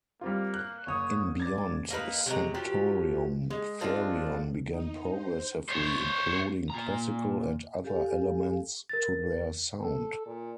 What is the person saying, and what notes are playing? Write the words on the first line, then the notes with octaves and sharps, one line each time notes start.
In "Beyond Sanctorum" Therion began progressively including classical and other elements to their sound.
G3 A#3 C4 F4
F#6
F#1 C#5 D#6
D5 G#6 A6
A#3 D#4 F#4 B4
C3 F#3 G#3 A#5
F3 F#3 G4
G#3
G#3 C4 D4 F4
D#4
C5
C5 C#5
A#2 A#5
G4 A4 F5 G#5
A#4 A6
A4
A#2